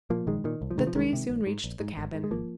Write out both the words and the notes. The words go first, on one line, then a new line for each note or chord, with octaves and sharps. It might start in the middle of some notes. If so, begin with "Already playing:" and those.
The three soon reached the cabin.
A#2 F3 A#3
A#1 D#3 G#3
A#2 D#3
C2
F3
C3 D#3 G#3
F3
C2 D#3 G#3
C3
A#1
G#2
A#1
G#2
G#1
G#2
G#3
G#1 F3 A#3